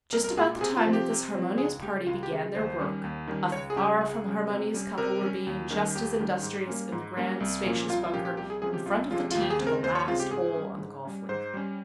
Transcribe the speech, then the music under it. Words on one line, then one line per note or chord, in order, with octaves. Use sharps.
Just about the time that this harmonious party began their work, a far from harmonious couple were being just as industrious in the grand spacious bunker in front of the tee to the last hole on the golf-links.
C2 A#4
A#4
A#2 G#3 G#4
C3 G#4
F4
F3 C4
G4
C3
F3 C4
C#2 G#4
C#3 G#3 G4
C#2 F4
G4
C#3 G#3
D#2 C5
D#3 G3 C#4
D#2
D#3 G3 C#4
C#2 C#5
G#4
C#3 G3 C#4 G4
C#2 G#4
C#3 G3 C#4
C3
G3 C#4
C3 A#4
G3 C#4
D#2
D#3 G3 C#4
D#2 G4
D#3 G3 C#4
G#2
G3 A#3 C#4
G#2
G3 A#3 C#4
C2
A#2 F3 A#3 C#4
C2 F4
F4
A#2 F3 A#3 C#4 G4
G4
C2 G4
G#4
C3 F3 G#3 C#4 G#4
G4
C2 F4
C3 F3 G#3 C#4 F4
D#2 F4
G4
G#4
C#3 G#3 C4
A#4
D#2 C5
C#5
C#3 G#3 C4 F4
G4
G#2 G#4
G3 C#4
G#2
G3 C#4
G#2 C5
G3 C#4